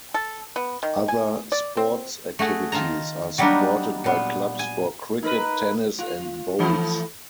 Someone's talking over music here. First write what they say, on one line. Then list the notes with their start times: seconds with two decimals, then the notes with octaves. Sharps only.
Other sports activities are supported by clubs for cricket, tennis and bowls.
0.14 A4
0.56 B3
0.83 D#3
1.08 G#5
1.52 D5
1.77 C4
2.39 A3 F#4 G#4
2.72 D#3 F4 A5 A#5
3.38 F#3 G3 A#3 B3 D4 D#4
4.04 A#2 B3
4.59 G#5
5.23 D#4 A#4 B4
5.99 F4
6.59 E3 A3